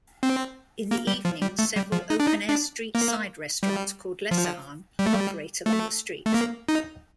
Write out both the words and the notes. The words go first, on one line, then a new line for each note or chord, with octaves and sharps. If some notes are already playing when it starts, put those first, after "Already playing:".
In the evening several open-air street side restaurants, called "lesehan", operate along the street.
C4
A#3
G3
F3
G3
A3
G3
F3
D#4
D4
D#4
D4
A#3
G3
F3
G3
A3
G3
A3
A3
A#3
D#4